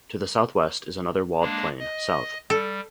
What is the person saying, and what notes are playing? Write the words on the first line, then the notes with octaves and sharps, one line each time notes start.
To the southwest is another walled plain, South.
G#3 A#3 D4
D#5
G3 A4